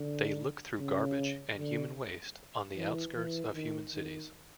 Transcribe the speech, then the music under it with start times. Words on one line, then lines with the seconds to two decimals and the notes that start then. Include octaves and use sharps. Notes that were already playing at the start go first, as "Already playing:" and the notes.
They look through garbage and human waste on the outskirts of human cities.
Already playing: D3
0.79 C#3
1.57 D3
2.76 E3
3.15 E3
3.54 D#3
3.94 D#3